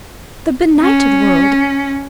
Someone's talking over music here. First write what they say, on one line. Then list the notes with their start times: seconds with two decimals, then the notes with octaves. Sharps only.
The benighted world!
0.82 C#4